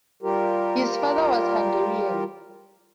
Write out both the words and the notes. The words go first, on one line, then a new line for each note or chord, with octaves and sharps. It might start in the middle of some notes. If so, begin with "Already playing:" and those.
His father was Hungarian.
G3 F4 G4 A#4